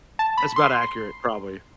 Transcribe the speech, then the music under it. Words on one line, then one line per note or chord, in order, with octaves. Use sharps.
that's about accurate, probably.
A5
B5
C6